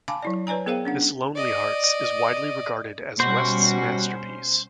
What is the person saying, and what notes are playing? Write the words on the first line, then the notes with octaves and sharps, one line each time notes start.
"Miss Lonelyhearts" is widely regarded as West's masterpiece.
F5 G#5 A5 B5 D6
F#3 E4 D5
B4 C#5 D5 G#5 A#5
B3 G#4 A#4 C5 F5 G5
C#4 D4 F#5
D5 D#5
B2 G3 C#4 F#4 C5